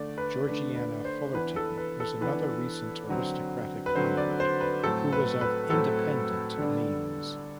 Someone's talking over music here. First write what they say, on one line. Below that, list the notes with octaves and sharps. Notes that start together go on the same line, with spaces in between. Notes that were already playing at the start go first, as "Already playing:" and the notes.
Georgiana Fullerton was another recent aristocratic convert who was of independent means.
Already playing: D3 A3 D4 D5
B4
D3 A3 D4 B4
B4
C5
E3 B3 D4 B4
A4
B4
A4
E3 B3 D4 B4
D3 F#3 C4
B4
D3 F#3 C4 C5
D5
C5
B4
A2 F#3 A3 C4 A4
B4
B4
A2 F#3 A3 C4 A4
D3 G3 B3 D4